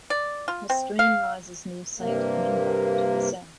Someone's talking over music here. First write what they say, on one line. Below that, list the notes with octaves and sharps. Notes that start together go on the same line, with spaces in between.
A stream rises near Saint Minver to the south.
D5
F4
C4
F5
G2 C3 A#3